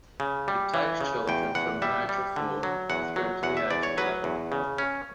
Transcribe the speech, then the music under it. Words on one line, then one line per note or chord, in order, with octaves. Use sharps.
It takes children from the age of four through to the age of eleven.
C#3
G3
E3
C#3
E2 G5
E2 F#5
G3 E5
G3
D3
F#3
E2 F#5
F#3
E2 F#5
E5
E2 D5
C#5
F#3 B4
E2
C#3
C#4